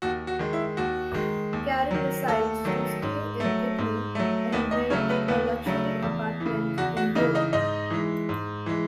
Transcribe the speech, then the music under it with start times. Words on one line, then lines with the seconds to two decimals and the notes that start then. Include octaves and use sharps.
Karen decides to stay in Italy and rent a luxury apartment in Rome.
0.02 D#2 F#4
0.27 F#4
0.39 D#3 G#3
0.53 E4
0.77 D#2 F#4
1.14 D#3 G#3
1.53 D#2
1.91 D#3 F#3
2.28 D#2 A3 A4
2.65 D#3 F#3
3.02 G#2
3.40 F#3 A3
3.78 G#2
4.15 F#3 A3
4.52 D#2 B3 B4
4.71 D#4 D#5
4.90 C#3 F#3 A3 C#4 C#5
5.09 B3 B4
5.28 D#2 B3 B4
5.66 C#3 F#3 A3
6.03 E2
6.40 E3
6.46 C#3
6.78 E2 F#4 F#5
6.97 F#4 F#5
7.15 C#3 E3 D#4 D#5
7.35 D#4 D#5
7.53 G#2 D#4 D#5
7.90 E3 G#3
8.29 G#2
8.66 E3 G#3